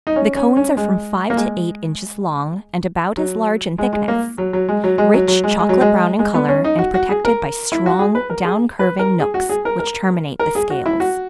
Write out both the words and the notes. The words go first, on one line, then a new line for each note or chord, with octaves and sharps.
The cones are from five to eight inches long and about as large in thickness; rich chocolate-brown in color and protected by strong, down-curving nooks which terminate the scales.
D#4
C#4
C#4
C#4
G#3
A#3
G#3
F#3
G#3
G#3
A#3
F#3
F#3
G#3
F#3
G#3
F#3
F#3
G#3
G#3
F#3
G#3
G#3
B3
C#4
D#4
F#4
F#4
G#4
A#4
E4
F#4
G#4
B4
A#4
G#4
B4
A#4
G#4
F#4
G#4
A#4
A#4
A#4
G#4
F#4
E4
F#4